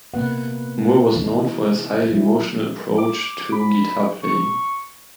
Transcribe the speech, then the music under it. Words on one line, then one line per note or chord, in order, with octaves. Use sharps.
Moore was known for his highly emotional approach to guitar playing.
C3 A#3 B3 B4 F#5
E3 D#4
F#3 E4
D6
B5
C#6